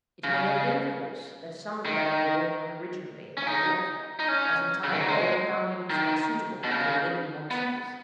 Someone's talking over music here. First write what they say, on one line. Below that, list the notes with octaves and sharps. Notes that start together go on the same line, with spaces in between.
It may have been, of course, that some of them were worn originally by water; but in time they all found a use when suitable for living monsters.
C#3
D#3
C#4
D#4
D#4
C#4
C#3
D#3
F#3
G#3
D#3
B2
C#3
B3